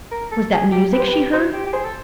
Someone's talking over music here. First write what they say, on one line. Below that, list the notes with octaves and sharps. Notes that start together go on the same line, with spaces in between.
Was that music she heard?
A#4
A4
G#4
G4
G4 B4
C5
G4 B4
F#4 C5
G4
G4
G#4 C5
A4